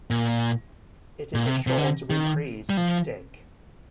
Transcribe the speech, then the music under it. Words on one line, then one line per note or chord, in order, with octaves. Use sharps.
It is a short reprise of "Dick".
A#2
A#2
C3
C3
D3
D#3
G3
F3